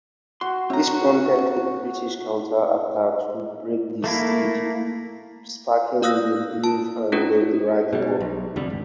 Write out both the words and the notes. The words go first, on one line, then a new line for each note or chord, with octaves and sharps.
This prompted a British counter-attack to break the siege, sparking the brief Anglo-Iraqi War.
F#4 C6
A2 C4 A#5
F#4
A3 A#3 E4
D5 F5 D#6 E6 F#6 A#6
A5
A3 C#4 D4 F4 G#4 B4
B2 G3
B1
F1 F2 D3 G3
G#1